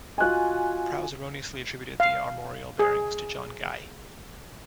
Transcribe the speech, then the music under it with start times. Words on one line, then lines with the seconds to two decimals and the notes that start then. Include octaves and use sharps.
Prowse erroneously attributed the armorial bearings to John Guy.
0.18 F4 F#4 D#5 G#5 F#6
2.00 F5
2.79 G#4